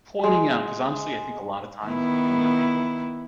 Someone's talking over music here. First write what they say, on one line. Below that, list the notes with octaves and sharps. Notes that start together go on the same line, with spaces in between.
pointing out, 'cause honestly, I think a lotta times with younger people,
G#3
D#3 B3 E4